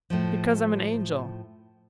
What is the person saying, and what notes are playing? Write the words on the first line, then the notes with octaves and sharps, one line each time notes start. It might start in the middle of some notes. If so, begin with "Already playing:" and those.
"Because I'm an angel."
A2 F3